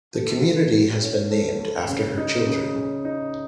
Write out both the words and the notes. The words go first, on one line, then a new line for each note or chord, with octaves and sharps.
The community has been named after her children.
A3
B4
F#4
C#4
A3
A3
C#3
D#4
C#3
C#3
D#4